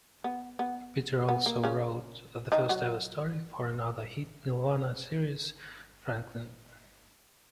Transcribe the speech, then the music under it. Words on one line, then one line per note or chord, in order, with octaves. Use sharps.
Peter also wrote the first ever story for another hit Nelvana series, "Franklin".
B3
B3
B3
A#3
C#3 C#4
D#3 D#4
F#3 F#4